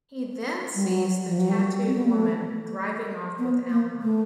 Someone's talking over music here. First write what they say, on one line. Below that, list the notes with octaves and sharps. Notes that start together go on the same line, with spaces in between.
He then sees the tattooed woman driving off with Alma.
G3
F#3
F3
F#3
G3
C4
B3
A#3
A3
B3
A#3
A3